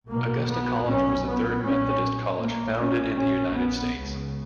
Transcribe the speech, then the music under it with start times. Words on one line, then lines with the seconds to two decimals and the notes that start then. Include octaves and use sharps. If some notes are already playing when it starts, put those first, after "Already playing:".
Augusta College was the third Methodist college founded in the United States.
0.11 B1 B2 A#3
0.50 B3
0.87 B1 A#2 C#4
1.25 B3
1.64 B1 A#2 C#4
2.40 A#1 A#2 A#3
2.79 C#4
3.17 A#1 A#2 C#4
3.55 B3
3.93 C#2 C#3